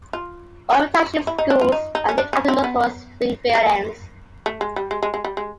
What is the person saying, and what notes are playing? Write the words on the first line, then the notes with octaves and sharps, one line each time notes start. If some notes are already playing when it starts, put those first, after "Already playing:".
All of the township's schools are named after notable Springfieldians.
F4
E4
D#4
D4
F4
D#4
D#4
C#4
D4
C#4
C4
B3
A#3
A3
G#3
G3
G#3
G#3
G#3
G3
G#3